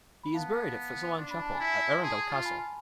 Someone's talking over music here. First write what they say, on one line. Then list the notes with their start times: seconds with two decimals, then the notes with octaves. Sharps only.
He is buried in Fitzalan Chapel at Arundel Castle.
0.23 B5
0.34 B3 F5 A5
1.18 D4 C6
1.31 B5
1.42 A5
1.54 G#5 B5
1.60 E4
2.02 G#4 A5 C6
2.30 F4
2.40 C6
2.45 G#5 B5